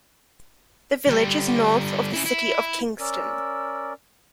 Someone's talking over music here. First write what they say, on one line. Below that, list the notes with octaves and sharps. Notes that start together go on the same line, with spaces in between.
The village is north of the City of Kingston.
D3 G3
C#3 E4
E4
C#4 A#4 D5 E6